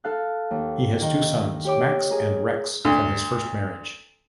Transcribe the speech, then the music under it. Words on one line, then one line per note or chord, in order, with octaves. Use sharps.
He has two sons, Max and Rex, from his first marriage.
A4 F5 F#6
D#2
D#3
G4 C#5 D6
G#4 A#4
D2